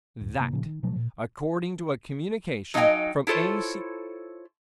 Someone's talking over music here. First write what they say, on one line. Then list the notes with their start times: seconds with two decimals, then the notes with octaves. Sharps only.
That, according to a communication from A.C.
0.21 D1
0.39 G1 C3 A#3
0.53 A#2 C#3 F3
0.65 D#3
0.83 B2 F3 F#3 A3
0.96 A#2
2.74 F#3 D#4 D#5 F5 G5 G#5
3.27 E4 F4 A4 C5 C#5